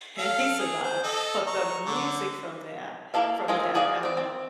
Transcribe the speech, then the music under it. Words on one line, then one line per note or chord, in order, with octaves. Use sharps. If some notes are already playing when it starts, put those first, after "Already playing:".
and he survived. But the music from that from that, um,
A4 F5
G#4
C5
A4 D#5
A#5 C#6
D3
A#3 E4 A4 F5
G#3 C4 F4 G#4 A#4
F#4 G#4 D5 D#5 F5
C4 D5
C4